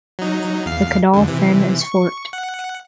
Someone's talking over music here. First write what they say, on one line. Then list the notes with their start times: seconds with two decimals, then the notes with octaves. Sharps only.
The caudal fin is forked.
0.19 F#3 D#4
0.66 E2 F5 C7
1.13 F2 D3
1.28 C3 E3
1.81 C#6
2.33 F#5